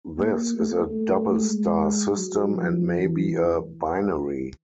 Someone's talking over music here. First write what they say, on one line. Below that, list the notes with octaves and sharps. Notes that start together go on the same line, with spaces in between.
This is a double star system and may be a binary.
A#3
A3
G#3
F#3
F3
E3